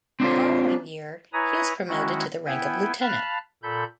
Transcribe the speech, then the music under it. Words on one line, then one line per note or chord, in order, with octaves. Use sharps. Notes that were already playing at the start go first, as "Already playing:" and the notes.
The following year he was promoted to the rank of lieutenant.
C4 D4 F4 C5
E4 B4 C#5 G#5 A#5 D#6
D#3 G#3 C#4 E4 F#4
B3 E4 G5 G#5
F5 A5 B5 F6 F#6
A#2 A4 B5 G6